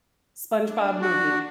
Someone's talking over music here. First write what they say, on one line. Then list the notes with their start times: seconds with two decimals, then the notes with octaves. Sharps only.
SpongeBob movie.
0.62 D4
1.02 F#4